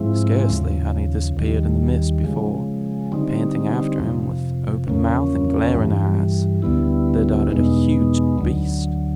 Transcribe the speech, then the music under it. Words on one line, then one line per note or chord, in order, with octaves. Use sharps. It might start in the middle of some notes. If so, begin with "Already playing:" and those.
Scarcely had he disappeared in the mist before, panting after him, with open mouth and glaring eyes, there darted a huge beast.
Already playing: G#2 F3 G#3 C4 E4
D#2 C#3 F3
D#2 D#3 G3
C#3 F3 G#3
D3 G3 C4 D#4
F2 C3 F3
E2 C#3 F3 A#3 C#4
G2 E3 G3
D2 D3 G3 B3 E4
E2 B2 G#3 B3 D#4
D2 D3 F#3